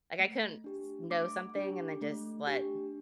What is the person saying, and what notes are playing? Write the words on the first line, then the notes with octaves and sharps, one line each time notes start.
like, I couldn't s know something and then, just, let
A3
D4 G4
A3 D6
D4 G4
A3
D4 G4